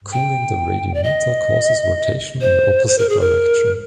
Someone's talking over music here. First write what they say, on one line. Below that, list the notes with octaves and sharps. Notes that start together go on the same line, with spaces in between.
Cooling the radiometer causes rotation in the opposite direction.
G5
D5
D#5
C5
C5
A#4
G#4
A#4